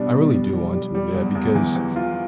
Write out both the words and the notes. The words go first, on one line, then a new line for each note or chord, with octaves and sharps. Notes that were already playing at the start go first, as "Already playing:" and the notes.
I really do want to, yeah, because,
Already playing: B2 G3 D4
D4
G3
G3
G3
G3
E2
E2
E3
E3
F4